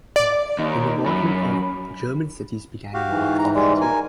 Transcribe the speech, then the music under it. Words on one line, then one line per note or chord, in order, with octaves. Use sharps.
The bombardment of German cities began in March of that year.
D5
D#2 D#4
F#2 B5
F#4 G4 F5
G#2 E3
A#5
G3 G#3
A#4 G#5